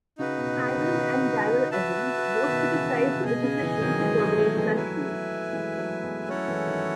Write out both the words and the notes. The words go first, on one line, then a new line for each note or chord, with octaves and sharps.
Aaron and Darrell Evans both criticized the decision to terminate Mathews.
C#3 D#4 F#4 B4
B2
C#3
B2 D#3
C#3
C#3
C#3
F#4 B4 E5 A5
B2 D#3
C#3 E3
C#3
C#3
B2 G#4 D#5 G#5
C#3
C#3 E3
D#3 F#3
E3 G#3
F#3 A3
F#3 A3
E3 G#3
B3
F#3 A3 E4 B4 E5 G#5
E3 G#3
F#3 A3
G#3 B3
F#3 A3 C#4 E4 A4 C#5 F#5
E3 G#3
D#3 F#3